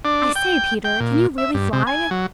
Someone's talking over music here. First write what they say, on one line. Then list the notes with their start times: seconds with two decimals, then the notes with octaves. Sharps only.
"I say, Peter, can you really fly?"
0.05 D4
0.36 G5
0.85 G5
1.00 A#2
1.38 E5
1.54 G2
1.73 C3
1.87 G#5
2.11 F#3